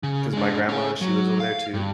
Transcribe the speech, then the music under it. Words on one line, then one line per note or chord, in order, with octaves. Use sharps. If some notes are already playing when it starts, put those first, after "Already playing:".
'cause my grandma, she lives over there too,
C#3
G#3 D4
C#4 G#4
F#3
F5
G2